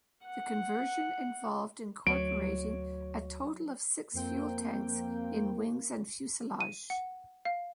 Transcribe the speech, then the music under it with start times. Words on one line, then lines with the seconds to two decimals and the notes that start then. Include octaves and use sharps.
The conversion involved incorporating a total of six fuel tanks in wings and fuselage.
0.24 F#5
2.07 D2 F#3 C#5 D7
4.14 F2 A#3 C4 G5
6.60 D#7
6.90 F#5
7.45 F5